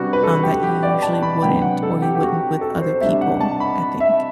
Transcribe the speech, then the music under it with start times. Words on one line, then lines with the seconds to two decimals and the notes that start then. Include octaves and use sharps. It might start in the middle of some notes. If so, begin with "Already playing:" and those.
um, that you usually wouldn't or you wouldn't with other people, I think.
Already playing: C3 G3 B3 D4 F#4
0.13 B4
0.23 A4
0.43 G4
0.63 G4
0.83 D5
1.02 A5
1.22 B5
1.42 C3 F#3 B3 D4 G5
1.62 F#5
1.83 A4
2.02 G4
2.15 G4
2.22 F#4
2.61 A4
2.81 C5
3.01 C3 G3 D4 E5
3.21 F#5
3.41 A5
3.60 B5
4.00 E5